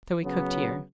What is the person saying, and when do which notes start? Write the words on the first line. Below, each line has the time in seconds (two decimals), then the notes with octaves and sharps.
So we cooked here.
0.22 C#3 F#3 B3